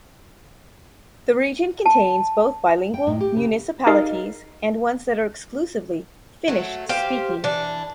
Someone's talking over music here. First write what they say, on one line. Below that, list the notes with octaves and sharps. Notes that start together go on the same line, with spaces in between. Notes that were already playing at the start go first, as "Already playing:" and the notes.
The region contains both bilingual municipalities and ones that are exclusively Finnish-speaking.
A5
G5
A2
G4
C#3
D#4 G4 G#4 A#4 D#5 F5
F#3 A3
G4 C5 F5
E3 D4